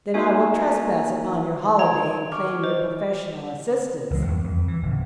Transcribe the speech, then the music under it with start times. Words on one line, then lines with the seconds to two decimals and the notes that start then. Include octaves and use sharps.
"Then I will trespass upon your holiday and claim your professional assistance."
0.14 A#3 D#4 F#4 A#4 E5 G#5
1.79 G#5 A#5 G#6
2.32 C#6 D6 F6
2.64 C5 D#5
4.10 C#2 E3 G#3
4.26 E2 G2
4.44 F2
4.68 E3
4.82 D1 C#3